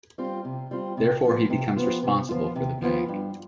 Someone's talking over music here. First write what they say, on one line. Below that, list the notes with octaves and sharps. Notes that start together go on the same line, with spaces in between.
Therefore, he becomes responsible for the bank.
G3 C4 F4
C3
G3 C4 F4
C3
F3 B3 F4
C3
F3 B3 F4
C3
F3 B3 F4
C3
F3 B3 F4
G2